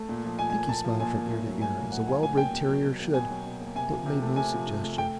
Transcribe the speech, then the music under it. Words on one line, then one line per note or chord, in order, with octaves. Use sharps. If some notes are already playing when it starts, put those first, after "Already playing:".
Binkie smiled from ear to ear, as a well-bred terrier should, but made no suggestion.
Already playing: A3
A#2
F3
A#2 G#5
G#5
A#3
A#2 A5
F3
A#2 G#5
A#3
A2
F#3
A2 G#5
A#3
A2 F#5
F#3 G#5
A2 G#5
A#3 G5
B2
F#3
B2
A#3
B2 G#5
F#3
B2
A#3
C3 G#5
F3
C3
A3
C3 G#5
F3
C3
A3
A3 G5